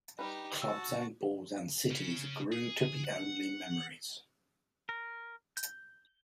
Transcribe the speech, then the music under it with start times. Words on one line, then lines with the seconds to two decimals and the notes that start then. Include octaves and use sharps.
Clubs and balls and cities grew to be only memories.
0.19 G3 D#4 G4 B4
0.62 F#4 A5 E6
1.91 C#3 C#4
2.52 G#4
3.05 F#5
4.89 A#4
5.57 G6